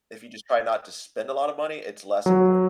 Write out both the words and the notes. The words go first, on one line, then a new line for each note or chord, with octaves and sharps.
if you just try not to spend a lotta money, it's less important.
F#3